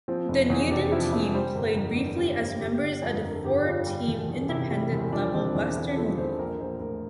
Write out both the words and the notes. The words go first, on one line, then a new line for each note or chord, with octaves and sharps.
The Newton team played briefly as members of the four–team Independent level Western League.
F3 C4
F1
E2
C3 D4
F3 E4
F1 E4
G3 C5
G1 A#4
F2 A#4
E3 D4
G3
G1
G1 G4
G1
F2
D3 A#4
A4
G1 G4
G1 F4
G3
E1
E2
C3 E4
G3
E1
F3 D4
E1 C4
E2 D4
D3 E4
F3 A4
E1 C5
A#1 A#4
A#1 C5
A2 A#4